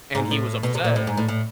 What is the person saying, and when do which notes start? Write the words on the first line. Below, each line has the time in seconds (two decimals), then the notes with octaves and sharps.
and he was upset
0.15 G#2
0.31 A2
0.63 B2
0.75 C3
0.84 A#2
0.96 A2
1.07 G#2
1.17 A2
1.28 A2